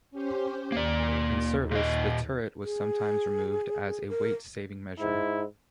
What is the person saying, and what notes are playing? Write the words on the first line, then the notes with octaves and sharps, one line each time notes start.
In service, the turret was sometimes removed as a weight saving measure.
C#4 G4 C5
D#2 A#3 D5
A#2 D#5
G#4
A#4
G#2 E4